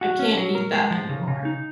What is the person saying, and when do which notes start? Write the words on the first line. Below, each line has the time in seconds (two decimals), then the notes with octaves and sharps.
I can’t eat that anymore.
0.01 F#4
0.19 C#4
0.37 F#3
0.55 A#4
0.73 G#3
0.91 F3
1.09 C#3
1.28 C#3
1.45 D#4